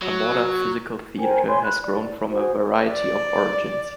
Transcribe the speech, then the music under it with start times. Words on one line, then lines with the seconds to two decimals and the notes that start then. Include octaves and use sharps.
A modern physical theater has grown from a variety of origins.
0.02 F#3
1.18 A#4 C5 G5 G#5
1.47 C#5 G#5 B5 C6
1.63 B5 F#6
1.82 D5
2.30 F#4 G#4 C5
2.91 D5